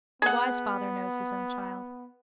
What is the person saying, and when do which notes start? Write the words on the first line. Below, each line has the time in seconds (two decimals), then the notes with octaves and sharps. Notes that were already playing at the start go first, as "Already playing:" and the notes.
The wise father knows his own child.
0.22 B3 G#4 F#5